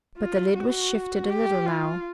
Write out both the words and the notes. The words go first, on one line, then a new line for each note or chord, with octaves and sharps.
But the lid was shifted a little now.
F4
F#4
G4
F4